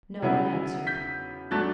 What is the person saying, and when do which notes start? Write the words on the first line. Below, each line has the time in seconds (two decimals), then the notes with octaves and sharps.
No one answered.
0.22 C#3 F#3 B3 E4
0.87 G6 B6
1.51 F#3 A3 D4 F#6 A6